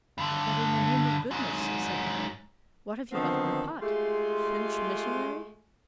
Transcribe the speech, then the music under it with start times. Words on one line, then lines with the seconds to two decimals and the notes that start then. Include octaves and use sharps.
"But, in the name of goodness," said I, "what have you got in the pot? French missionary?"
0.18 G2 D3
1.31 G#2 F#3
3.12 D3 D#3 F3 B3 C4
3.81 G#3 A3 F4 G4 G#4